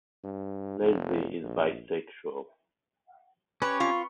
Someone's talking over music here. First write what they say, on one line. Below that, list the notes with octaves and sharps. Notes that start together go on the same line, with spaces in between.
Leslie is bisexual.
G2
F1
A#1
C#4 G4 B4 C#5
C4 F4 B5 C#6